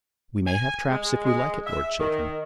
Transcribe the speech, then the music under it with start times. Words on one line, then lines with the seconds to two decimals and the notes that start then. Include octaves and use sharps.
"We may have traps if we like it, Lord Chiltern."
0.47 G#5
0.90 G#3
1.25 G#3
1.67 E5
2.00 D#3